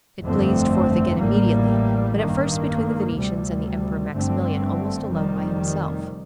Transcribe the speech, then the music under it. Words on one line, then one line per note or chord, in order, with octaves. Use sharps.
It blazed forth again immediately, but at first between the Venetians and the Emperor Maximilian almost alone by himself.
G1 F2 D3 A3 C4
A1 A2 G3 A#3
G2 D#3 A#3
D2 C3 G3
G1 G2 D3 A3 C4
F1 F2 D#3 G3